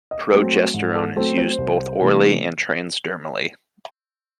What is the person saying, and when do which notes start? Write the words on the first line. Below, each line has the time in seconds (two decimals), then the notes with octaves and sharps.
Progesterone is used both orally and transdermally.
0.11 D#5
0.32 F#3 A3 C4 G#4
0.53 F#4
0.74 G#2
0.95 A4
1.16 F#3 A3 C4 A4
1.38 C5
1.58 C2
2.01 C3 E3 A3